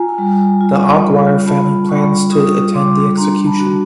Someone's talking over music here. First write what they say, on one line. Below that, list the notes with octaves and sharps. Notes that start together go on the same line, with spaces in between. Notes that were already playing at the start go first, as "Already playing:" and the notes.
The Aguirre family plans to attend the execution.
Already playing: F4 G#5 A#5
G3
F4
G3
F4 A5 B5
G3 B5 C#6
F4 C#6 D#6
G3 C6 D6
D4 A#5 C6
A5 B5
F#4